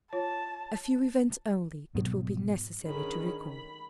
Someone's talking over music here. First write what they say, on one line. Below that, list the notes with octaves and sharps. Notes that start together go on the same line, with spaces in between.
A few events only it will be necessary to record.
F4 C#5 A5
G#2 B2 F#3
D3 D#3 C#4 G#4 B5
B5